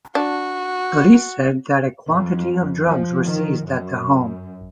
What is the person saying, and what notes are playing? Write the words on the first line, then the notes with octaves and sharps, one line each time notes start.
Police said that a quantity of drugs were seized at the home.
D4 F#4
F2
F3
D#3
F#2